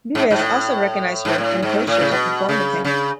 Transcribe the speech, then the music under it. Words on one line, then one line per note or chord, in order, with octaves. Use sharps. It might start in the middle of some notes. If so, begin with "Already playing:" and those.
Vives also recognized her and approached her to perform with him.
G#2
G#2
A2
G#2
A2
G#2
A2
C#3
B2
C#3
C#3